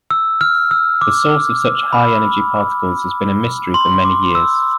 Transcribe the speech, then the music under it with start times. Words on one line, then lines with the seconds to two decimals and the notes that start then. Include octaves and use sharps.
The source of such high energy particles has been a mystery for many years.
0.11 E6
0.41 F6
0.71 E6
1.01 D6
1.93 B5
3.74 C6
3.94 C6
4.05 D6
4.35 E6